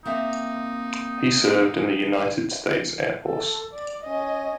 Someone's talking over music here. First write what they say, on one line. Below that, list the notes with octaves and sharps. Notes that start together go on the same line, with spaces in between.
He served in the United States Air Force.
A#3 C4 D#4 E5
A4
D5
C#4 D#5